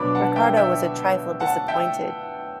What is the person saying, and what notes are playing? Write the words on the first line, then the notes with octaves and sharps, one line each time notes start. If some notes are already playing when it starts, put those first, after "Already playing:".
Ricardo was a trifle disappointed.
Already playing: B2 F#3 B3 D4 B5 D6
F#5 A5
E5 G5
E5 G5
F#5 A5
E5 G5